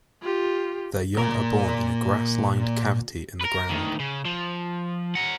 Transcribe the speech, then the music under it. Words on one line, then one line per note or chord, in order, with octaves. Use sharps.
Their young are born in a grass-lined cavity in the ground.
F4 G4
A#2 A#4
A#4 B4
D2 D#3
C#3
F3
A#4 F#5